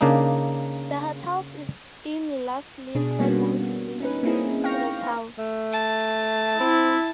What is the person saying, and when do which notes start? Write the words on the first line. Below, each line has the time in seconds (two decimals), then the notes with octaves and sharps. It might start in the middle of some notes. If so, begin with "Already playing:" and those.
The hotels in Laughlin promotes visits to the town.
0.01 C#3 A#3 D4 D#4
2.95 B2 D4 G#4
3.19 G3 A#3 B3 C#4 F#4
4.00 C#4 D#4 B4
4.23 A#3 C4 C#4 D#4 E4 G#4
4.64 F5 G5 C#6 F6 A#6
5.38 A3
5.72 A5
6.60 C4 E4